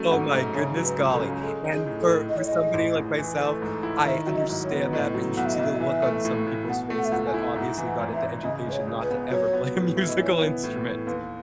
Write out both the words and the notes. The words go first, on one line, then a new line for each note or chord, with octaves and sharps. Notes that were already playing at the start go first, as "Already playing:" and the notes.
Oh my goodness, golly. And for for somebody like myself, I understand that, but you should see the look on some people's faces that obviously got into education not to ever play a musical instrument.
Already playing: F#3 A3 C#4
G#2 F#5
G#2 E5
C#3 C#5
F#3
B4
C#2
A4
C#4
G#3 A4
D#4
G#4
A2
A4
A2
A2 D#5
C#5
D#5
G#3
A1
A1
E3
A3
G#2
E4
D#3 E5
F#3
D#5
G#2
C#5
B3
A2 D#5
F#3
B1 F#5
E5
D#5
B1 E5
D#5
E3 E5
A3
A2
A2
B2 F#5
A3
F#5
E5
C#2 F#5
G#5
E4
G#2 F#5
E3
F#5
G#1
E5
G#1
C#3 D#5
G#3 B4
C#5
C#2
B4
B3
F#3 C#5
B3
A2
E4
D#5
E3 C#5
B3
A2
A2
D#2 B4